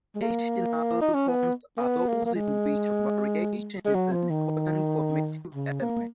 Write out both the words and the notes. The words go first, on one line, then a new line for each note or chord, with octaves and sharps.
Variational forms are those in which variation is an important formative element.
G#3
A#3
D#4
C#4
B3
A#3
B3
A#3
A#3
G#3
G#3
F#3
F3
D#3
C#3
A#3